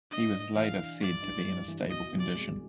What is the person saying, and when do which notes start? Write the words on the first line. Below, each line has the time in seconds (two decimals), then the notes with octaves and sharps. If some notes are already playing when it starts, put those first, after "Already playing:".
He was later said to be in a stable condition.
0.11 D4 D#5
0.33 D4
0.56 E3 F5
0.78 E3
1.00 G2 D5
1.23 D4
1.46 G2
1.68 E3
1.90 B2 D#5
2.12 C2
2.19 D5
2.35 G#3